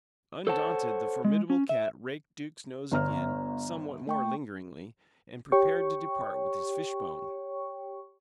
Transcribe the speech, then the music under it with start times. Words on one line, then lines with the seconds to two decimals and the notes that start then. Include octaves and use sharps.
Undaunted, the formidable cat raked Duke's nose again, somewhat more lingeringly, and prepared to depart with his fishbone.
0.47 A4 C5 C#5 F#5 A5
1.25 G#3
1.50 C#4
1.69 E5
2.92 G1 B3 D5 A#5 F6
4.07 A3 G5 C#6
5.52 G4 C#5 G5 C#6